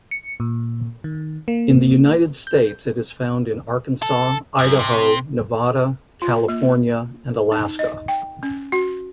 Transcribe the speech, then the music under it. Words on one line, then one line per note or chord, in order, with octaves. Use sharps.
In the United States it is found in Arkansas, Idaho, Nevada, California, and Alaska.
C#7
A#2
D#3
A#3
G6
A4
F#2
C3
F4
A#3
D#4
D#5
G5
C#4
F#4